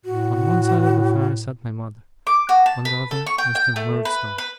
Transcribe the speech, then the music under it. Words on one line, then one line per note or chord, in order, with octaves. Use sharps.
On one side of the fire, sat my mother; on the other, Mr. Murdstone.
A2 F#4
D6
F#4
A5
B4
A4
C#6
G5
G5
A3
B4
B4